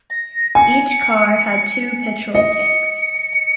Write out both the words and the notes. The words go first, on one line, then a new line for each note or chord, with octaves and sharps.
Each car had two petrol tanks.
A#6
G#5 C#7
D#5 C#7